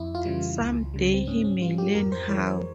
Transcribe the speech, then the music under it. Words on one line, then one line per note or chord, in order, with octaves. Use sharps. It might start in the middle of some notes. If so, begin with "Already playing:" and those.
Some day he may learn how.
Already playing: F2 E4
F4
C#3 E3 G3
C#2
C#3 G3
C4
G#2 C#4
C#4
G3 F4
G4
F2 A#4
C5
E3 G#3 C#5
C#5